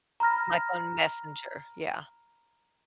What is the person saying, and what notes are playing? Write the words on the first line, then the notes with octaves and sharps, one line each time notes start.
Like, on Messenger. Yeah.
A#5 B5 F6 A#6